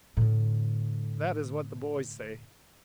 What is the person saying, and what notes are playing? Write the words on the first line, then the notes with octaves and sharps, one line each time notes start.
That is what the boys say.
A2 D3